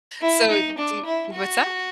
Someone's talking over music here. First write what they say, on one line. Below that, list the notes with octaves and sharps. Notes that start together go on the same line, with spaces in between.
So do what's that?
E4
D#4
D4
E4
F#4